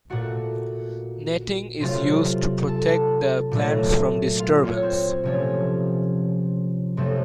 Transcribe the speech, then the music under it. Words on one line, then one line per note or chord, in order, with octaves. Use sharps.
Netting is used to protect the plants from disturbance.
A#2 A3 F#4 F#5
C3 F#3 A3 F4 F5
A4 A5
A#2 F#3 A3
F4 F5
C#5
C4 C5
C3 F3 A3 C#4 C#5
F2 C3 F#3 A3